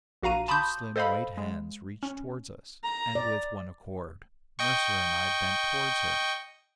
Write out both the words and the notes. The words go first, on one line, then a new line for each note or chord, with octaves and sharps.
Two slim white hands reached towards us, and with one accord, Mercer and I bent towards her.
A#1 F#4 F5 A#5 D#7
A5 B5 C6 D6 D#6 G6
A4 C5 D#5 F5 B5
G#3
C#4
A#5
D5
D#5 G5 C#6